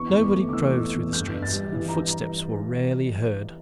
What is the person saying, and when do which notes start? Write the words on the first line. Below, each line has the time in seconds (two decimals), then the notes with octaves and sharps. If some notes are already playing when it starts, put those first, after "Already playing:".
Nobody drove through the streets and footsteps were rarely heard.
Already playing: E2 C#6
0.13 E2
0.23 D6
0.33 A3
0.49 D6
0.53 E3 E6
0.73 E2
0.94 E2
1.13 G2 G6
1.33 G2
1.42 A6
1.53 G3
1.73 E3
1.88 A#5